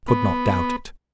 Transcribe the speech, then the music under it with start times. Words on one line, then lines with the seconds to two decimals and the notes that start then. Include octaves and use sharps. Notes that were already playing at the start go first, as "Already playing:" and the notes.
I could not doubt it.
0.08 B3